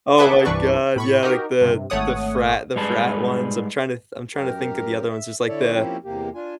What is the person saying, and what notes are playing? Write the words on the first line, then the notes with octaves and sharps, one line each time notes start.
Oh my god. Yeah, like, the the frat the frat ones. I'm trying to th I'm trying to think of the other ones. It's like the
G#4 B4 E5 F#5 A5 D6
C2 G2 E3 D4 B4 C#6
A2 B5 C#6
D#4 F#4 G4 A#4
G2 C3
G#1 A3 C#5 F#5 D#6
G#2 G3 G#4 B4 A5
F#2 G4 A#4
E5
D3 E4 A4 C#5 D5
F3 A#3 C4 C#4 E4 G4
E2 C3 A#3 G4
D4 F4 G#5